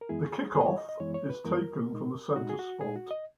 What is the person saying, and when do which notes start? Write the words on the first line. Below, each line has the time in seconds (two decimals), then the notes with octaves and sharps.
The kick-off is taken from the centre spot.
0.01 A#4
0.09 F#2 E3 G#3 B3 E4 G#4
0.54 F#2 E3 G#3 B3 E4 G#4
0.61 D#5
0.66 C#5
0.78 D#5
0.89 D#5
1.00 F#2 E3 G#3 B3 E4 C#5
1.14 C#5
1.30 B4
1.45 F#2 E3 G#3 B3 E4 A#4
1.90 A#2 G#3 D#4
2.36 A#2 G#3 D#4 F#4
2.50 G#4
2.59 F#4
2.80 A#2 G#3 D#4 G#4
2.96 F#4
3.11 D#5